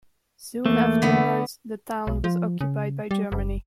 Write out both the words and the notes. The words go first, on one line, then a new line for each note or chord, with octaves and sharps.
Soon afterwards the town was occupied by Germany.
E2 A3 A#3
D3 B3
B1
F3
C#3
G3
F#1